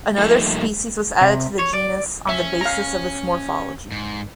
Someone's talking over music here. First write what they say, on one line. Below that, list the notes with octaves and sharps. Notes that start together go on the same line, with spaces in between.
Another species was added to the genus on the basis of its morphology.
F3 G3 A3 A#3 D#4
C3
C#5
D5
C#4 E5
F5 A#5
G#2